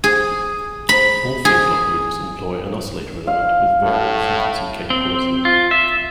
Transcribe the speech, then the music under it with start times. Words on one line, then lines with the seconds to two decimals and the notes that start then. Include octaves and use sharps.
All phase-locked loops employ an oscillator element with variable frequency capability.
0.04 G#4
0.89 B5
1.45 G#4
3.27 F5
3.83 A2
4.90 C4
5.45 F4
5.71 E5